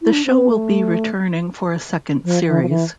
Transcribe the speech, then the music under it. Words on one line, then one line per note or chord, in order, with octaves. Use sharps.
The show will be returning for a second series.
E4
D4
C4
B3
A3
F3
E3
F3
E3